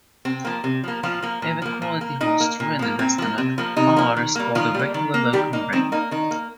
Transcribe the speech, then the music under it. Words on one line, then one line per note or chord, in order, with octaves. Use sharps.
If equality holds true in this estimate, "R" is called a regular local ring.
C3 C4
F3 A#3
C3
F3 A#3
A#2 F3 F4
F3 A#3
A#2
F3 A#3
A#2
A#3
A#2 D#4
A#3
A#2
F3 A#3
A#2 C4
F3 A#3
C3
F3 A#3
C3 D#4
F3 A#3
D#3
G3 A#3
D#3 F3 F4
G3 A#3
D#3
A#3
D#3 G3 G4
A#3 D#4
D#3 C4
A#3 D#4
D#3 D#4
A#3